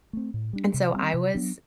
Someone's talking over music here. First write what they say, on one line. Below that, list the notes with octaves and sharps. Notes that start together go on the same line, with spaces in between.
and so I was,
A3 C4
A2
G3 D4
C3
G3 C4
C3
F#3 B3 D4